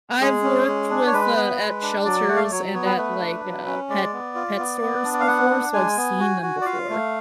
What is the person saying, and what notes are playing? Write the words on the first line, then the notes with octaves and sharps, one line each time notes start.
I've worked with, uh, at shelters and at, like, uh, pet pet stores before, so I've seen them before.
G#3 G#4
C#4
G#3
D4
C#5
G#3 B4
B3
G#3
D4
F#3 D5
A3 F#5
F5
D5
F#3 C#5
B3 C#5
B4
A3 B4
D4
F#3
C#4
G#3 D5
B3
F4
B3
B3
D4
D5
F5
B3 F#5
D4
G#3 G#5
B3
F#4
F#4
D5
F4 F5
A3